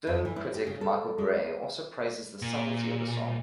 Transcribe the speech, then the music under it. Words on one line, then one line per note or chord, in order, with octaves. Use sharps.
Dylan critic Michael Gray also praises the subtlety of the song.
F2
E3
E4
G4
C#3
A4
G#3
A#2